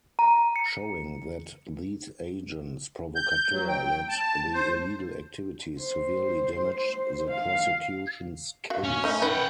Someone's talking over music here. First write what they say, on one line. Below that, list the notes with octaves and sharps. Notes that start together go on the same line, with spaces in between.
Showing that these agents provocateur led the illegal activities severely damaged the prosecution's case.
A#5
C#7
G6
F#3
G5
A5
C5
C5
F5
F#4 F5
C#4
A3 D#4
B4 F#5 G5